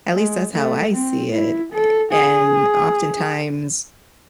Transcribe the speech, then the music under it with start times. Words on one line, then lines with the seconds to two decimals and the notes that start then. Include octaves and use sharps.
At least that's how I see it, a and oftentimes
0.15 G#3
0.54 A3
0.93 C4
1.33 E4
1.72 A4
2.12 G#4